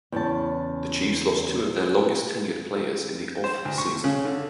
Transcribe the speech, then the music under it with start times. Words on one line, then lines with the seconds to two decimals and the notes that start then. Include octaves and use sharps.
The Chiefs lost two of their longest tenured players in the offseason.
0.12 E2 C#3 A5
3.44 C5
3.65 D2
3.78 C#6
4.04 C#3
4.25 D3